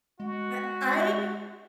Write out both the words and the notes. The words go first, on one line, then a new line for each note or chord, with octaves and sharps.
right I uh
G#3 F#4